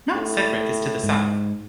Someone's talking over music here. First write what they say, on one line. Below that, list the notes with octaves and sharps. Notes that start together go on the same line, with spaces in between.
Mount Sedgwick is to the south.
A2
G#2